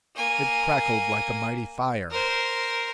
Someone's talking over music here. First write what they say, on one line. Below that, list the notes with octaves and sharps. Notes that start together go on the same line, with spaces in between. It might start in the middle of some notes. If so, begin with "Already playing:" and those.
It crackled like a mighty fire.
A#3 G#5
A#4 C5